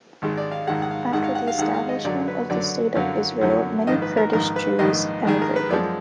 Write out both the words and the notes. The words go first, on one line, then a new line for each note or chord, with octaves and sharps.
After the establishment of the State of Israel, many Kurdish Jews emigrated.
G#1 G#2 D#3 G#3
D5
F5
G#1 G#2 D#3 G#3 F#5
F#5
F5
G#1 G#2 D#3 G#3 F#5
F5
F#5
F5
G#1 G#2 D#3 G#3 F#5
F5
D#5
F#2 D3 F#3 D5
B4
F#2 D3 F#3 D5
F#2 D3 F#3 F5
F#2 D3 F#3
A#1 G#2 D#3 D#5
B4
A#4
A#1 G#2 D#3 A#4
B4
A#1 G#2 D#3 D#5
A#1 G#2 D#3 G#4
A#4
B4
F#2 F3 G#3 D5